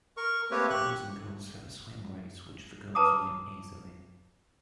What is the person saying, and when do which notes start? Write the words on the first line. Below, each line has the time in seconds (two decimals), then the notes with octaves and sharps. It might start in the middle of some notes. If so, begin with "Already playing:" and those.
The boys and girls have a swim race which the girls win easily.
0.17 A#4 C#6
0.51 A3 A#3 C4 G4 B4 C#5
0.70 G4 C#6 F#6
2.95 B4 C#5 A5 A#5 D6 D#6